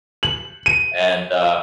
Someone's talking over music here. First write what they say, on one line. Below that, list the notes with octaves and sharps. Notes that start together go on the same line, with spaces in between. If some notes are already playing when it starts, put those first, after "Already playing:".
and uh
F#7
D#7